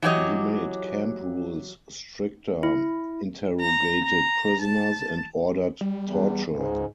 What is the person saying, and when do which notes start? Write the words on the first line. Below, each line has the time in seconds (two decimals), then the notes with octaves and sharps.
He made camp rules stricter, interrogated prisoners and ordered torture.
0.02 E3 F#3 G4 C#5 D#5
2.63 E4
3.60 A#5
4.03 A#5
4.61 A5
5.81 G3
6.04 E2
6.54 C#2 G#2